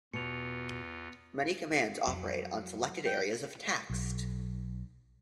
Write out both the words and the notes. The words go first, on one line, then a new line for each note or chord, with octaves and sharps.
Many commands operate on selected areas of text.
E2 B2 F4 C#7 F7
F2 F#3
G5
B1